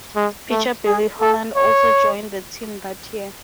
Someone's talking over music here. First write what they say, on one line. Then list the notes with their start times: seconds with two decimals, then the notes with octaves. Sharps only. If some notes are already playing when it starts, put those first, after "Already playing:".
Pitcher Billy Holland also joined the team that year.
0.16 G#3
0.51 A3
0.86 G#4
1.21 A4
1.56 C#5